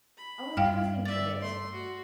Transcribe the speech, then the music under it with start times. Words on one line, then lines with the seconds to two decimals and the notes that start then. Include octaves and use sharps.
I will never think of it.
0.18 B5
0.57 G2 F5 G5 F6
1.06 D5 E5 A6
1.41 A3 C6
1.72 F#4